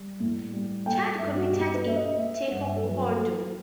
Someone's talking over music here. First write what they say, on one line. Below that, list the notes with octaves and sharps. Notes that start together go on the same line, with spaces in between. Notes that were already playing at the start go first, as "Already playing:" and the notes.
Chad competed in Taekwondo.
Already playing: G3
A2
G3
A3 G5
G2 E5
F#4
B2 G4
B4
A3 E5
D#5
A3 E5
E5
G2 F#5
E5
A4
F#3 B4
A3 A4